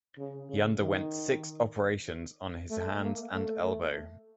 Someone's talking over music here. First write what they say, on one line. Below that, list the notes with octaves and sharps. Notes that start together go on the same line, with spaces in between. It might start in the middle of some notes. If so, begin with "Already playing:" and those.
He underwent six operations on his hands and elbow.
C#3
C#3
D#3
A3
A#3
A3